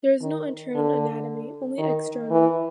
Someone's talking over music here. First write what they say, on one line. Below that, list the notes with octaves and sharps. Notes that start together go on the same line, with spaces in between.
There is no internal anatomy, only external.
D#3
D3
D#3
E3